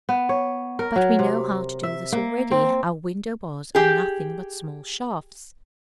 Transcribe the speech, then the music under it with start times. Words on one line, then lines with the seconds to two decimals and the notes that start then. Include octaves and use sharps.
But we know how to do this already: our window bars are nothing but small shafts.
0.09 B3
0.29 C#5
0.79 A#4
0.96 F#3
1.19 C3
1.83 E5
2.12 A#3
2.51 C4
3.75 G4 G#4